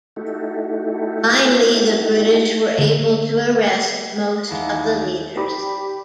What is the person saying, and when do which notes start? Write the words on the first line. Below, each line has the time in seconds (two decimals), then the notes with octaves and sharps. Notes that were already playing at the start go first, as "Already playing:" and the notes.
Finally the British were able to arrest most of the leaders.
0.16 A3 D#4 E4 F#4 G4 A4
2.78 D3 A#3
4.47 D#2 E4 F#5 B5 C7
5.37 G4 D5 B5 D6